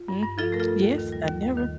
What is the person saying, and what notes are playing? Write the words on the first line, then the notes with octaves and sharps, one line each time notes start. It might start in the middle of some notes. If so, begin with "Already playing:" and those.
Mhm. Yes, I never.
Already playing: F4
G2
G2
F3 F4 A4
A3 A#4
F4 A4
G2
D#2
D#3
G3
D#2
D#2
D#3